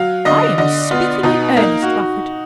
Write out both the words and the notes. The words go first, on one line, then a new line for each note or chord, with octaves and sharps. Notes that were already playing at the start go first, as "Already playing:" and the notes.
I am speaking in earnest, Rufford.
Already playing: F#3 F5
D3 D#5
D3 D#5
B3 F4
B2 D#4
A#3 D#4
F#4